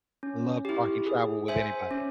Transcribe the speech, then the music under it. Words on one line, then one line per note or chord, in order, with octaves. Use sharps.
I love talking travel with anybody.
C#4
E4 G4
G#4
C5 E5 G#5
C#4